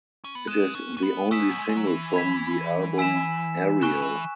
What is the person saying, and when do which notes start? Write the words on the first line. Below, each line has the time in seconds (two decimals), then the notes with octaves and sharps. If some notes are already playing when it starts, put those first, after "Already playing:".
It is the only single from the album "Aerial".
0.24 C#4
0.35 B3
0.47 G#3 F#6 E7
0.74 C#4
0.97 C#4
1.03 B3
1.31 B3 G#5 C#6 E6 B6 E7
1.50 F#3
1.58 G#3
1.69 G#3
1.77 F#3
1.87 E3
2.14 B5 G#6 B6
2.98 G#5 E6 B6 E7
3.81 C#3 G#5 C#6 F#6 E7
4.02 E3